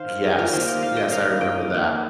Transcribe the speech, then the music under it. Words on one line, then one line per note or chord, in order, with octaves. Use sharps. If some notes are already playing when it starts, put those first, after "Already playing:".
Yes. Yes, I remember that.
Already playing: D#3 A#3 C5 F5
A#4 D#5
F4 A#4
D#3 G3 A#3 G4 C5
A#4 D#5
C5 F5
D#5 G5
F5 A#5
D#5 G5
D#3 A#3